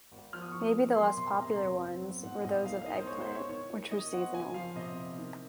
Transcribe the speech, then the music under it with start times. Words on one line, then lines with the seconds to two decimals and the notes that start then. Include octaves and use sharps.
Maybe the less popular ones were those of eggplant, which were seasonal.
0.12 G#1
0.33 F3 F6
0.42 D#6
0.52 F3 C#6
0.61 D#6
0.75 F#2
0.96 F#3 C6
1.17 C3 C6
1.38 C3 A#5
1.47 C6
1.56 F1 A#5
1.81 C4
2.02 F#3
2.23 G#2 F#5
2.44 G#2 D#5
2.64 C2 F5
2.82 F5
2.86 D#3 D#5
2.99 C5
3.07 G#3 C#5
3.21 C5
3.29 G#3
3.35 C#5
3.49 D#3 C#5
3.71 D#3
3.91 D#3 D#5
4.12 C4 F#5
4.34 F#1 G#5
4.54 F3 F5
4.76 C3 D#5
4.97 C3
5.18 D#3